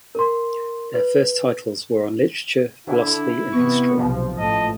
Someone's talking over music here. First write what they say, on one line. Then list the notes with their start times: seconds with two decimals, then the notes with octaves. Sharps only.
Their first titles were on literature, philosophy and history.
0.15 A#4 C6
0.94 B4
2.87 D3 E4
3.52 C3 E3 B3 C#6
3.98 B1 C3 F3
4.38 A1 A3 D#5 A5